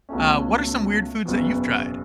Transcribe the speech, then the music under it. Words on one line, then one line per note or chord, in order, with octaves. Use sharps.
Uh, what are some weird foods that you've tried?
C#2 B2 A3 C#4
F#1 E2 B2